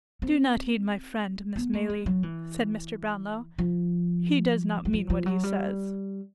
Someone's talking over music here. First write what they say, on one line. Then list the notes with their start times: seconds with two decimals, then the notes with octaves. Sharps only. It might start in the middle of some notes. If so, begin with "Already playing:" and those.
'Do not heed my friend, Miss Maylie,' said Mr. Brownlow; 'he does not mean what he says.'
0.22 C4
1.56 B3
1.73 A3
1.90 G#3
2.06 F#3
2.23 E3
3.58 F3
4.85 F#3
4.93 F3
5.10 F3
5.26 F#3
5.43 G3